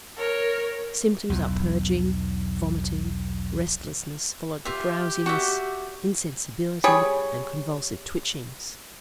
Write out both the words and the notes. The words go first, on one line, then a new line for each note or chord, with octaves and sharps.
Symptoms are purging, vomiting, restlessness, followed by drowsiness, insensibility, and convulsive twitchings.
A#4 C#5
B1 E2
F4 G4 E5
F#4 D5 E5
G3 G#4 C#5 C#6